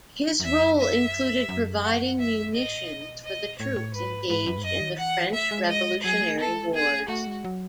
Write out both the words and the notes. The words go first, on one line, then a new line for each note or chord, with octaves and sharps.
His role included providing munitions for the troops engaged in the French Revolutionary Wars.
F#2
E2 E5
F#2
E5
F#2
F#5
E5
G#2 D#5
A2
B2
D#5
A2 C#5
G#2
A2
G#2 B4
G#2 B4
F#2
G#2
F#2 D#5
D#3
E3 F#5
A3 E5
G#3
D#5
F#3 G#4
A3
B3 A4
A3
G#3
A3
B3 G#4
A3
A3 F#4
G#3
F#3